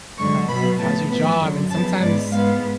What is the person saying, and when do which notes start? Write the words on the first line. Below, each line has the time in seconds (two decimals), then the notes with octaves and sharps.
uh, "How's your job?" and sometimes,
0.18 F#2 D3 G#3 C#6
0.48 B2 F#3 B3 B5
0.78 A2 F3 B3 A5
1.09 A2 F3 B3 B5
1.40 F#2 D3 F#3
1.70 F#2 C#3 F3 B3 A5
2.00 G#2 G#3 B3 D5
2.31 G#2 G#3 B3 F5